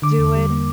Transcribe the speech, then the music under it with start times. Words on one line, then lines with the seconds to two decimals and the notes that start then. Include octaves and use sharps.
do it.
0.02 D3 D6
0.18 E2
0.35 G3
0.50 A#3